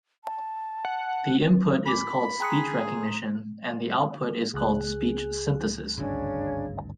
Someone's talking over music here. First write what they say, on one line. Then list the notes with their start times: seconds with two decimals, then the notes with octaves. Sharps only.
The input is called speech recognition and the output is called speech synthesis.
0.25 A5
0.85 F#5
1.86 G#5 B5 D6
2.40 G#4 G5 A#5 C6 D#6 F#6 C#7
4.54 C#2 G#4 F#6
5.98 G#1 D2 G2 C#3 C#4 D4 G#6